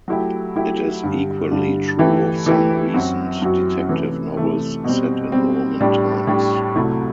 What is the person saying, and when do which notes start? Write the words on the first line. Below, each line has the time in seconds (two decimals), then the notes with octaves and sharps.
It is equally true of some recent detective novels set in Roman times.
0.08 F#3 A3 E4 G4
0.55 F#3 A3 E4 G4
1.03 G2 D3 G3
1.51 G2 D3 G3
1.99 E3 A3 E4 G4
2.46 E3 A3 E4 G4
2.94 F#2 F#3 C4 F#4
3.42 F#2 F#3 C4 F#4
3.89 C3 E3 A3
4.37 C3 E3 A3
4.84 B2 G3 C4
5.32 B2 G3 C4
5.80 A2 G3 D4 G4
6.27 A2 G3 D4 G4
6.76 C2 C3 F#3 A3 E4